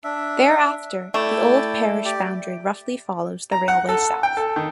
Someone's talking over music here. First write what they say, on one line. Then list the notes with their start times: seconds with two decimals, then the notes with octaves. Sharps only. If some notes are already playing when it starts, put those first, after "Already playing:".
Thereafter the old parish boundary roughly follows the railway south.
0.04 D4 E5
1.14 A3 E4 D5 G5
2.05 G4 D5 G5
3.52 A#5
3.68 F#5
3.89 A4
4.23 G5
4.37 A4
4.56 D#3